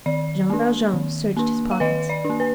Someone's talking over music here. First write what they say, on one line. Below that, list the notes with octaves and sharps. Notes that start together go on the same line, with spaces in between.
Jean Valjean searched his pockets.
D#3 D5
A#3 D4
D#3
A#3 D4
F5
D#3 B4 D#5
D5
A#3 D4
B4